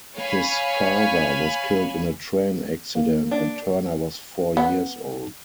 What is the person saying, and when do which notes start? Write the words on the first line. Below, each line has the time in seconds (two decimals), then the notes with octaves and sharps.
His father was killed in a train accident when Turner was four years old.
0.15 C#5 F5 G#5 B5
2.95 A#3
3.31 D4
4.57 B3